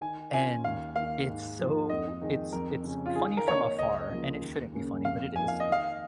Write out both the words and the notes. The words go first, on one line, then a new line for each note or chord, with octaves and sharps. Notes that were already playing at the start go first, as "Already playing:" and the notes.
And, it's so it's it's funny from afar, and it shouldn't be funny, but it is,
D#3 G#5
C#4 F4 A#4 G#5
D#2 F5
D#3 A#3 F5
G#2
F3 A#3 F4
F2 D#5
D#3 G#3 D#4
F2 A#4
C#3 G#3 C#4
F4
D#3 G#4
A#4
A#3 D#4 A#4 C#5
C#2 D#5
C#3 F3 A#3 F4
D#2
C#3 A#3 C#4
F2 F5
F3 A#3 D#4 A#4 G#5
F5
D#5
D#3 F5